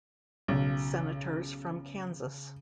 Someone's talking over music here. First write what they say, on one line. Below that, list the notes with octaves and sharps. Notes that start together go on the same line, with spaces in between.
Senators from Kansas.
B1 C#3